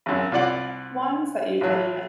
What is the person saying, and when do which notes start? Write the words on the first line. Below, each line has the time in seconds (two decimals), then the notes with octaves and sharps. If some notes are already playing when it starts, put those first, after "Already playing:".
ones that you can
0.06 G#1 F#2
0.32 C2 F4 D5 F#5
1.61 A1 F#3